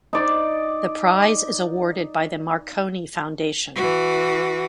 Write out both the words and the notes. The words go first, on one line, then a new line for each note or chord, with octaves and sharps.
The prize is awarded by the Marconi Foundation.
D#4 D5
E3 F#4